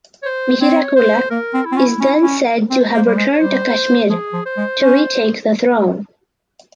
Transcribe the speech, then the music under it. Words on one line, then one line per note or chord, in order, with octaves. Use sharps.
Mihirakula is then said to have returned to Kashmir to retake the throne.
C#5
C5
C4 C#5
C5
A#3 A#4
C4
E4
C4 F4
C#4
E4
C#4 E4
C#4
C4 C5
A#3
G3
G#3
C#5
G3 C5
F3 G#4
F3
C5
G#3
C#4